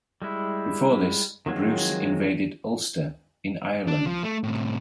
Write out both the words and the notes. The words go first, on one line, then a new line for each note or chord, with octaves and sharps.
Before this, Bruce invaded Ulster in Ireland.
G3 G#3 E4
D#3 F3 F#3 G#3 C4
D4
F3
A3
A2 C3